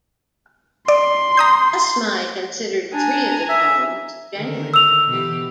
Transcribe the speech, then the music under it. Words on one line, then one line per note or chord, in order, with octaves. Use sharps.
Asma'i considered three of the poems genuine.
D5 C6
A#5 D#6 G6
D4 G#5 A#5
E5
D3 D#3 A#4
E6 F7
B2 E3 G4